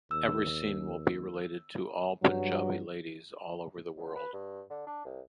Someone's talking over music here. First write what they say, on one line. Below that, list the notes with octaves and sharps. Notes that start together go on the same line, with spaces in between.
Every scene will be related to all Punjabi ladies all over the world.
D#2 E6
G2 F#3
C#2
B4
G2
D3
D4
C2